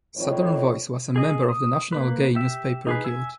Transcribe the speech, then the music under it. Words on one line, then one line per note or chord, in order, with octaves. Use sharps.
"Southern Voice" was a member of the National Gay Newspaper Guild.
F2 A2 D#3 C#5
G#4 D#5
D#6
A#3 B4
G4 E5
D#4 G#4 B4
E5 G#5